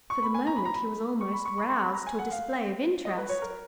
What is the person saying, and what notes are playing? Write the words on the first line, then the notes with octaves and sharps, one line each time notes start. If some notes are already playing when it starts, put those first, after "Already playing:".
For the moment he was almost roused to a display of interest.
C#6
B5
G#5
A#5
B5
A#5
B5
C#6
B5
C#6
B5
C#6
B5
A#5
G#5
F#5
F5
D#5
B4
C#5
A#4